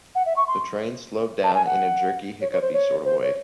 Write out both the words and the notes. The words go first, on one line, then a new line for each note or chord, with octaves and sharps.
The train slowed down, in a jerky hiccuppy sort of way.
F#5
E5
C#6
C6
A5
G#5
F#5
C#5
C#5
C5
C#5
C5
C#5